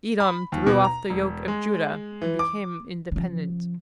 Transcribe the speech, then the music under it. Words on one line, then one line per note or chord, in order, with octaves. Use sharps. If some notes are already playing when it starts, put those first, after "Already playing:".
Edom threw off the yoke of Judah and became independent.
B5
D#2
B2
A#5
E1
G#3
E3
D6
C#3 F3